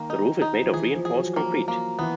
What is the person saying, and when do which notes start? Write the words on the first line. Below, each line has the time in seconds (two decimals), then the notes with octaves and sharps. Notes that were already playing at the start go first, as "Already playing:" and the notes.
The roof is made of reinforced concrete.
Already playing: D#3 A#3
0.10 D#4
0.42 D#4
0.63 F3
0.73 E3 G#4
0.94 F3
1.05 G#4
1.15 F#3
1.36 A#3
1.68 A#3
1.99 E3 B3